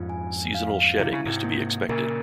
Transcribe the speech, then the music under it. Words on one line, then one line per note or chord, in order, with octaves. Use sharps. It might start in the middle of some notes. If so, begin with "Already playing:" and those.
Seasonal shedding is to be expected.
Already playing: F2 G#2 F4
G#5
F5
C3 E4
C#3
G#2 C3
A#3
A#2 C#3 A#4